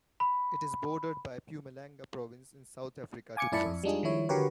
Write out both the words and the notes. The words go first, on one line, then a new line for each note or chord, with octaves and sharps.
It is bordered by the Mpumalanga province in South Africa to the west.
B5
F5 G#5 D6 G#6 C#7
F#2 E4 D5 A5 B5 C#7
F2
G3 G#3 D4 D#4 F4 G#4
D#3 F3 G3 E4 C#5
D3 F#4 G4 A#4 B4 C#5